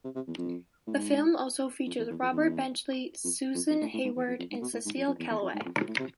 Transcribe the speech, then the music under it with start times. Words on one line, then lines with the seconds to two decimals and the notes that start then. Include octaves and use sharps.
The film also features Robert Benchley, Susan Hayward and Cecil Kellaway.
0.04 C3
0.15 C3
0.28 E2
0.38 F2
0.87 A2
0.95 G#2
1.87 F2
1.99 E2
2.10 E2
2.22 F2
2.33 E2
3.24 F2
3.55 F2
3.70 F2
3.81 A2
3.94 A2
4.04 G#2
4.16 E2
4.27 F2
4.39 F2
4.51 G#2
4.61 B2
4.73 A2
4.85 G#2
4.97 F2
5.08 F2
5.19 E2
5.30 E2
5.42 F2
5.53 G#2
5.65 F2
5.77 G#2
5.88 A2
5.99 C3